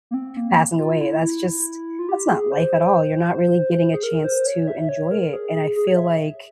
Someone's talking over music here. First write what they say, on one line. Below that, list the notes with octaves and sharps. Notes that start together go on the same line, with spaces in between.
passing away. That's just that's not life at all, you're not really getting a chance to enjoy it, and I feel like
A#3
C4
A#3
F4
E4
E4
F4
G4
G#4
C5
G#4
A#4
C5
C#5
C#5
E5
E5
C#5
A#4
G#4
G#4
G#4
C#5
E5